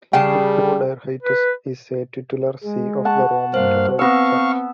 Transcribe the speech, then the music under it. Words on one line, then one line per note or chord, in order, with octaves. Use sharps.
Hippo Diarrhytus is a titular see of the Roman Catholic Church.
C#3 G3 G#4 G5 A5
B4
G#3
F#5 A5 C#6
G2 A#3 C5 F5
B3 C4 B4 F5 C#6 E6